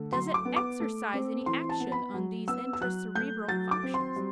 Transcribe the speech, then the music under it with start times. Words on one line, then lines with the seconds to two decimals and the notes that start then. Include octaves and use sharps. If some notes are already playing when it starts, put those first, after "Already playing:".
Does it exercise any action on these intra-cerebral functions?
Already playing: D3 A3
0.12 F#3 C6
0.34 D6
0.45 B3
0.56 D6
0.80 A3
1.14 C4
1.46 E3 C6
1.69 A5
1.80 B3
1.92 B5
2.14 F#3
2.48 B3 E6
2.73 E6
2.81 F#3 F#6
3.15 A3 G6
3.49 F#3 A6
3.71 D6
3.83 C4
3.94 C6
4.16 G3